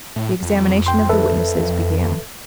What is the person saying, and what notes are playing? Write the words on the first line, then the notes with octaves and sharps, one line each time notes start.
The examination of the witnesses began.
A2
F2
G5 C6
A4 B4 E5